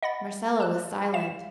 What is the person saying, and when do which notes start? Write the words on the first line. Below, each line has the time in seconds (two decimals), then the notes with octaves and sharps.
Marcella was silent.
0.03 D#5 F#5 B5 A6
0.60 A5 F#6
1.14 E5 F5 E7